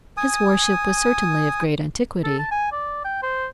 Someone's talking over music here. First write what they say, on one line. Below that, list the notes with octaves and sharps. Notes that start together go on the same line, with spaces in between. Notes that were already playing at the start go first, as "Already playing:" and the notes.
His worship was certainly of great antiquity.
G#5 D#6
A4
A5
G#5
D5
G5
C5